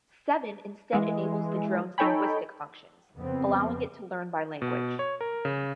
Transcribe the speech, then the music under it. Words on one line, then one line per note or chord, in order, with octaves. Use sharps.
Seven instead enables the drone's linguistic functions, allowing it to learn by language.
E3 G#3
D#4 A4 C#5 G5 G#5 B5
F2 C#3 B3 C4
B2
C#5
A#4
C#3